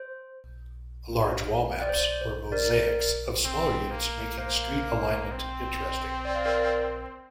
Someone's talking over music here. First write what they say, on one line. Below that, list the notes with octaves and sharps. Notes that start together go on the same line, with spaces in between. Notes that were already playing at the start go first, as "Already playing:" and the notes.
Large wall maps were mosaics of smaller units making street alignment interesting.
Already playing: C5
D5
C5
C5
A#4 D5
C4
A#3
A#3 C5 F5
C4
D5
F5
A#4 D5